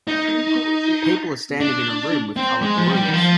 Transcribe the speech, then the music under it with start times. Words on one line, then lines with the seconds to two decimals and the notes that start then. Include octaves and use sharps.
People are standing in a room with colored balloons.
0.08 D#4
1.60 D4
2.37 C4
2.62 G#3
2.78 F3
2.87 G3
3.08 D#3
3.13 F3